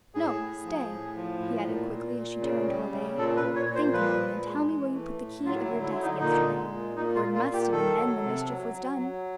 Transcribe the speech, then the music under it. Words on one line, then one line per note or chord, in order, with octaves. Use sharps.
No, stay!" he added quickly, as she turned to obey; "think a moment and tell me where you put the key of your desk yesterday, for it must have been then the mischief was done.
A2 G#4
A2
F3
A2
F3
A2
A#2
A#2
A#2
C#3
G3
C#3
A#2 A4
B4
A#2
C#5
A#2
C5
F3 B4
A#2
G#3
E3
A3
A2
F#3 F4
E4
D3
E4
D3 E4
D#4
A#2 D#4
G#3
A#2
A#2 D#4
F4
A#2
F4
A#2
G4
D#3 A4
F#3
C3
F#3
F#3
F#3